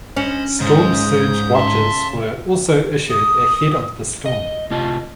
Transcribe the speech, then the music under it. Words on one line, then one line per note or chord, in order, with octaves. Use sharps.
Storm Surge Watches were also issued ahead of the storm.
C#4 C5 D#5 B5
G#2 C#3 D#6 G6
E5 A5 C6
D#6
D#5
A2 C3 F4 D#5 A5